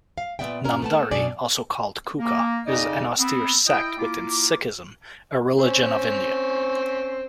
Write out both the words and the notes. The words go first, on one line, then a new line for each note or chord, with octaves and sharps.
Namdhari, also called Kuka, is an austere sect within Sikhism, a religion of India.
F5
A#2 A3 B3 D5 E5 G5
G2 C#4 A#4
A3 B3 A5
F#2 B2 D4 D5 G#5
A#3
F2 C#3 D#4 D5 D#5
B3 C4
E4 D#5 G5
A#3 E4 F4 D6
C4 C#4